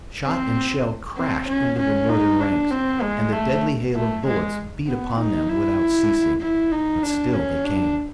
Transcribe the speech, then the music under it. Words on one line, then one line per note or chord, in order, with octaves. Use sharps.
Shot and shell crashed into the Northern ranks, and the deadly hail of bullets beat upon them without ceasing. But still they came.
C4
C4
C#4
C#4
D#4
D4
C4
G#3
A3
A3
G#3
B3
D#4
E4
E4
D#4
D4
C#4
D4